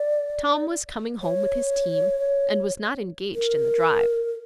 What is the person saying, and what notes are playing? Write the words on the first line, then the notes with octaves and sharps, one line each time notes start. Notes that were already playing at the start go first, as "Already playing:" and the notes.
Tom was coming home with his team and was not engaged in the drive.
Already playing: D5
C#5
A#4